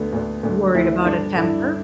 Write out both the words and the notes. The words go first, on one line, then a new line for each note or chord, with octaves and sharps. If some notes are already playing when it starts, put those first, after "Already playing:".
Worried about a temper?
Already playing: D2 D3 B3
D2 D3
D2 D3
D2 D3 E4
E4
G2 D3 D4
G2 D3 E4